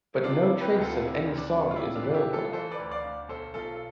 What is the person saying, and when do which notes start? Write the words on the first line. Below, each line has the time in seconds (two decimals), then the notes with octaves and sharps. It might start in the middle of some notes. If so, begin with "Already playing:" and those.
But no trace of any song is available now.
0.23 C3 D4 F4
0.43 E4
0.50 C3
0.61 G4 B4
0.75 D2
0.81 F4 A4
1.00 C3 E4
1.25 D2
1.38 D4
1.51 C3
1.71 F4
1.76 C3 E4
1.96 D4 F4
2.02 E3
2.14 E4 G4
2.27 E3
2.33 F4 A4
2.53 E3 A4 C5
2.71 B4 D5
2.79 D2
2.91 D5 F5
3.04 D2
3.29 B1 A4 C5
3.54 B1 F4 A4
3.75 A4